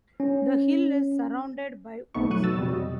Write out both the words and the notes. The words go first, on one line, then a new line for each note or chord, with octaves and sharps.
The hill is surrounded by woods.
C#4
B1 A3 B3 D#4 C#6
F2 F#3 C#6 F#6 D#7
B2 E6 A6
F2 C3 F#3 G3
D#5